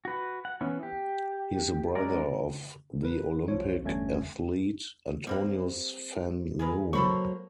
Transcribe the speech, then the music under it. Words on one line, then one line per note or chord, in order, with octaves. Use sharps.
He is the brother of the Olympic athlete Antonius van Loon.
F#4 B4
F#5
E3 B3 C#4
G4
G#3 C#4 A#4 D5
A#4 B4
C2 F3 C#5
G1 E2 G2 A3 C#4 G#6
G3 A#3 C4 F#5
G#4 A#4 B4
F#3 A#3 A4 C5 B5 C#6